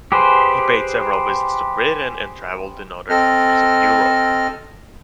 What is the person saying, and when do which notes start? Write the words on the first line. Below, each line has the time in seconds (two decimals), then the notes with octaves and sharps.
He paid several visits to Britain and travelled in other countries of Europe.
0.12 G4 G#4 B4 C5
3.09 C4 A4 D#5 F6